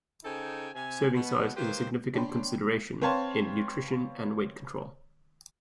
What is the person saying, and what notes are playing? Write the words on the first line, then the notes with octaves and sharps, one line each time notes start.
Serving size is a significant consideration in nutrition and weight control.
C#3 D#4 A4 C5 G5 G#5
C3 G#5
B2 B3
D#3 A#3 G4 B4 C5 G5
D4 C#5 G5 B5 C6
C4 B4 C#5 F5 A5 C6